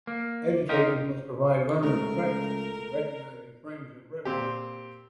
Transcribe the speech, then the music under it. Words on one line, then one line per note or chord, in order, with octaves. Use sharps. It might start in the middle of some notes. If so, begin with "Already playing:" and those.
Educators must provide learners practice in recognizing frames of reference.
A#3
D#4 F4 G4 A#4
C#2 A3 A#4
A#2 C4 G4